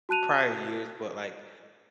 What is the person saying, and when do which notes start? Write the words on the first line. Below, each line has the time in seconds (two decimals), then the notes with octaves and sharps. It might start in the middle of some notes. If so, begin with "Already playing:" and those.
prior years, but, like,
0.09 F#4 A5 F#6 D#7 F7